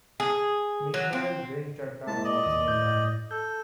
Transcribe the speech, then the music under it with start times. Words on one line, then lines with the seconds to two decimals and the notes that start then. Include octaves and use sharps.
Meanwhile Win Chadha also died.
0.20 G#4
0.94 F#3
1.13 C4
2.07 G#3 A#3 E4 A5
2.24 D5 D#5
2.44 D#2 D#6
2.68 A2 G6
3.31 A4 G6